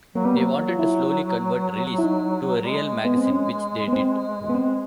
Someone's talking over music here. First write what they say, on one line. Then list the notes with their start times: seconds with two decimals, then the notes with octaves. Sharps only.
They wanted to slowly convert "Release" to a real magazine, which they did.
0.15 F#3 A#3
0.25 G3 B3
0.35 F#3 A#3
0.68 F4
0.79 E4
1.98 E4
2.04 D#4
2.67 G#3
3.05 B3
3.17 C4
3.30 C#4
3.88 B3
3.93 C4
4.49 B3
4.55 C4